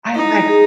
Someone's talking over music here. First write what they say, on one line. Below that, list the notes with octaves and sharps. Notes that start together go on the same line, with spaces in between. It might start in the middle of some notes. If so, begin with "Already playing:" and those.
I was like
D#4 E4
G#4